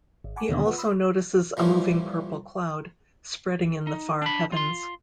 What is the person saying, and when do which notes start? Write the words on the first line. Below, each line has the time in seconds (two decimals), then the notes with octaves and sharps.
He also notices a moving purple cloud, spreading in the far heavens.
0.24 G#1
0.36 F#5 G#5 A5 B5 C#6 D6
0.49 D#2 B2 D3 D#3 A#3 B3
0.66 F4 B4 F#5
0.78 B5 C6 D#6 E6
1.57 A#2 E3 F3 G3 C#4
3.87 D#4
4.22 D4 B5
4.52 F4 C6